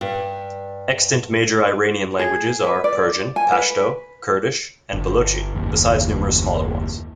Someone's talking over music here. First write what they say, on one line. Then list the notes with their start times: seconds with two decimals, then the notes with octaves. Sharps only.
Extant major Iranian languages are Persian, Pashto, Kurdish, and Balochi besides numerous smaller ones.
0.01 G2
2.19 G#4
2.64 B4
2.84 D5
3.36 G#5
3.52 B4
4.93 G1
5.55 F#1 D#2